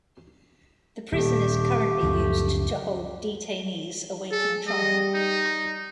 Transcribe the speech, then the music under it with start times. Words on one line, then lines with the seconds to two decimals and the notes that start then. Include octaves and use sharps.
The prison is currently used to hold detainees awaiting trial.
1.12 D#1 A3 G4
2.03 C#2 F#2 F3
4.32 G#4 A4
4.67 G3 D#5
5.14 D#4